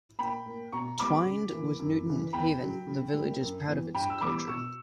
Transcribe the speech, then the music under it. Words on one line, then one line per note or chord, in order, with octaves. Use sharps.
Twinned with Newton Haven the village is proud of its culture.
A#2 G5 B5
A#3
B2 A#5 C#6
G3 B3 B5 D6
C#3
E3 A#3
F#2
C#3 E3
E2 G5 B5
C#3 F#3
C#3
G3 A#3
F#2
E3 B3
G2 G5 B5
E6
E3 G3 B3 B5 D6
B2 C#6 E6